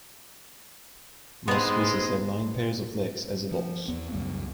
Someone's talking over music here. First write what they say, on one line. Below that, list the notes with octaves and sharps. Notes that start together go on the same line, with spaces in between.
Most species have nine pairs of legs as adults.
G#2 G#3 B3 C4 C6
F3
E2 B3
C#2 F#2 G3 A3